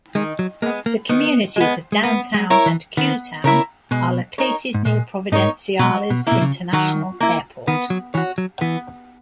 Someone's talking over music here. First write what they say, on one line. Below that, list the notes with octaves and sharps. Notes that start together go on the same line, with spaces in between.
The communities of Downtown and Kew Town are located near Providenciales International Airport.
D#3 G#3
F#3
G#3 A#3 B3
A#3
D#3 B3
G#3 B3
G#3
A#3 B3
G#3
E4 A#4 C#5
E3
D#3 B3
C#3 E4 A#4 C#5
B2 G#3
D#4 A#4 C#5
G#2
A#2 G#3
G#2 D#4 A#4 C#5
B2 F#3
B2
B2 A#3 E4
C#3
D#3 F#3
A#3 E4
D#3 B3
F#3
E3 F#4 C#5
F#3
E3 B3